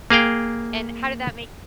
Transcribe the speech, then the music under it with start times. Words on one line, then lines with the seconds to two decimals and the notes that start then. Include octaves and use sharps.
And how did that make
0.10 A#3 G#4 F5 G5